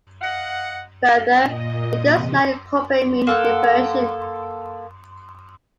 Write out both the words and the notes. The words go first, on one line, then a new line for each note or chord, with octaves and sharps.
Further, it does not incorporate mean reversion.
D#5 F5 F#5
A#2 D#5
E2 C3
A#3 A4 F#5